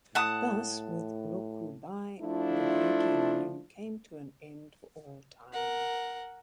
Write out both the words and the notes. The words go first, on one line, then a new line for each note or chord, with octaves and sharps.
Thus, with Rokudai, the Heike line came to an end for all time.
A2 F#5 A5 D#6
F3 A3 D4 E4 F4
A#4 F#5